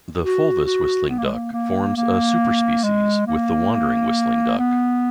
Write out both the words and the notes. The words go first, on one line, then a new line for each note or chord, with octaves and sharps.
The fulvous whistling duck forms a superspecies with the wandering whistling duck.
F#4
F#4
B3
A#3
G#3
A#3
A#3
A#3
G#3
A#3
B3